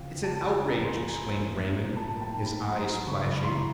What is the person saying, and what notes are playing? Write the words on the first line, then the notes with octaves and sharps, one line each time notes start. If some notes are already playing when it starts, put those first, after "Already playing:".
"It's an outrage!" exclaimed Raymond, his eyes flashing.
Already playing: C#3 F3 F5 G5
F2
G5 A5
F2
F3 G#5 A#5
F3 G#5 A#5
F2 A#5 C6
B5
F2 G#5 A#5
A#3
A2
A2
F3
A2 A5 B5
A#3
G5 A5
D#4
A5 B5
D#4
F#2 A#5 C6
F#2
C#3 B5 C#6
F#2
B5
E3 A#5 C6